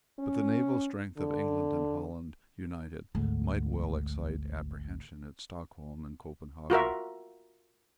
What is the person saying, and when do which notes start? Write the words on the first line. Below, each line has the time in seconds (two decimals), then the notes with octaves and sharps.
But the naval strength of England and Holland united might well excite apprehension at Stockholm and Copenhagen.
0.19 C#4
1.18 D3
3.15 G#1 D2
6.70 F4 F#4 A#4 E5